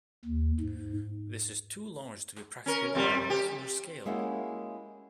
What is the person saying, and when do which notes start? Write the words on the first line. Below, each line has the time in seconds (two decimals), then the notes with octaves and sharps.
This is too large to be practical on the molecular scale.
0.25 D#2
0.60 G#2
2.66 C#4 A#4
2.95 F2 C3 G3
3.30 G4
4.06 G#3 A#3 C#4 E4 F#4 G4